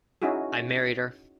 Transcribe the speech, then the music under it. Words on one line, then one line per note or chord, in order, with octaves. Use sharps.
I married her.
C#4 D#4 E4 F#4 G#4